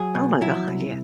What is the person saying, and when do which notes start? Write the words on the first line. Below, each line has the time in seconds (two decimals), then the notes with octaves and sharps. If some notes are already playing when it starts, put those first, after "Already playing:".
Oh my god, yes.
Already playing: F#3 G#4
0.15 B2
0.41 F#3 E4
0.68 C2